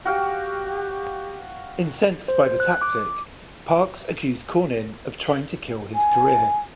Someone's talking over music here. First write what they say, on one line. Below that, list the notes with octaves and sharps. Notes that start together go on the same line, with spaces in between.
Incensed by the tactic, Parks accused Cornyn of trying to kill his career.
F#4 G4 F5 G5
C5
F#6
D6
D6
G#5